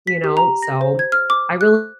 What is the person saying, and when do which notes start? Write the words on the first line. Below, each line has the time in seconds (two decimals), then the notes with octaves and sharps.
you know, so I really
0.07 B6
0.24 G4
0.37 A#5
0.63 A#6
0.81 C5
0.99 G#6
1.12 F6
1.30 D6
1.61 F#6